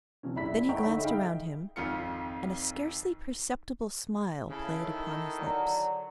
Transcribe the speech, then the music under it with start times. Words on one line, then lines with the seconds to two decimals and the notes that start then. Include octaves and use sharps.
Then he glanced around him, and a scarcely perceptible smile played upon his lips.
0.23 C3 F3 C#4
0.36 A#1 E4 E5 B5 B6
0.69 C#5 D#5 F#5 G5 A#5 C#6
0.83 D3 D#4 E5 B5 B6
1.01 D#4 G#4 E5 F5 G5
1.76 G#1 F2 F4 C#7
4.49 C#3 E4 A4
4.85 D#3
5.38 D3 F#3